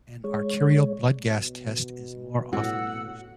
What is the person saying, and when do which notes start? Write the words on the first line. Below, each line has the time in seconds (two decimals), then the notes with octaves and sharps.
An arterial blood gas test is more often used.
0.24 G#3 C#5
1.29 B2
2.53 A2 F#4 F#5 E6